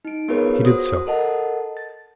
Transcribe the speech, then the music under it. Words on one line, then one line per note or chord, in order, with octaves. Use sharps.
He did so.
D#4 D7
B3 F4 G#4 A#4 B4 C#5
F#4 C5 D#6 A#6
A4 A#4 D#5 F#5 A5
A6